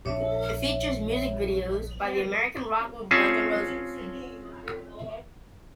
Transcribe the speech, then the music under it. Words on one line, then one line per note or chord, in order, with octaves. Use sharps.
It features music videos by the American rock group Guns N' Roses.
A#1 D4 C#5 E5
C4 C#4 F4 G#4 G#5 A5